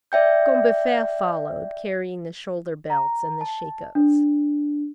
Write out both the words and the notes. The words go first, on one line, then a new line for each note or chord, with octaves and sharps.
Combeferre followed, carrying the shoulder-belts and the shakos.
D5 E5 G5 G6
A#5
A5
D4